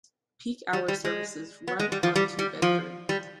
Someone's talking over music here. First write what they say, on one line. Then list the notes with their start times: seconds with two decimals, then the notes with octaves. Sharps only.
Peak-hour services run on to Bedford.
0.73 G3
0.88 G3
1.05 G#3
1.68 B3
1.79 G#3
1.92 G3
2.03 F3
2.16 G3
2.39 G3
2.62 F3
3.09 G3